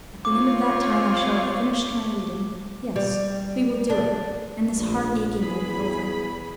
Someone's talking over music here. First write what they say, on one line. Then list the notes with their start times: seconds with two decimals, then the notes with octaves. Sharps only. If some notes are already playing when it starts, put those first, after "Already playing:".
At the end of that time I shall have finished my reading--yes, we will do it, and this heart-aching will be over.
0.25 C4 F4 C#5 D6
2.96 G3
3.90 D4
4.78 A#1
5.40 E2 G#4 B5